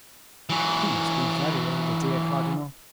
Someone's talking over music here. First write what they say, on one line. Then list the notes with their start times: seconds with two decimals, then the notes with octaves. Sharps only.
"He must be very ill, the dear cardinal!"
0.50 E3 F#3